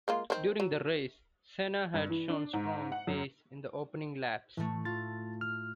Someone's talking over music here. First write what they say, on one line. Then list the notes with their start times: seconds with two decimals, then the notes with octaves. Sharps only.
During the race, Senna had shown strong pace in the opening laps.
0.08 G#3 A#3 F4
0.30 D#3 C4
0.60 F#3
1.94 G2
2.10 E3
2.30 D4
2.53 G#2
2.92 F#5
3.07 F#2
4.57 A2 E3 A3
4.85 F4 A6
5.41 F6